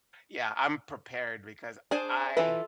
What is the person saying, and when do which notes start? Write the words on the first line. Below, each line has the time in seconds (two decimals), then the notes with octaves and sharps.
Yeah, I'm prepared because I
1.91 D4 G#4 C5 G#5
2.37 E3 F4 A4 B4 E5